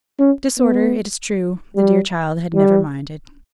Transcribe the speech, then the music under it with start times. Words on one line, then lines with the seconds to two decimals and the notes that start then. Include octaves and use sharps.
Disorder, it is true, the dear child had never minded.
0.19 C#4
0.59 B3
1.76 G3
2.55 G3